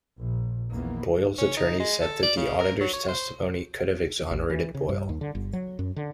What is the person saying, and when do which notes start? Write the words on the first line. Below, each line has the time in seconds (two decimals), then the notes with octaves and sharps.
Boyle's attorneys said that the auditor's testimony could have exonerated Boyle.
0.18 A#1 A#2
0.70 A#1 E2 D#3 E3 A#3 B3
1.38 C#4
1.57 D#4
1.80 G#3
2.02 A4
2.23 D5
2.37 C#3
2.59 A#4
2.81 F#3
2.93 C#5
3.08 C5
4.31 A1
4.50 E3
4.75 C#3
4.89 G2
5.09 D#2
5.21 D3
5.35 G1
5.53 F#3
5.79 F#2
5.96 D3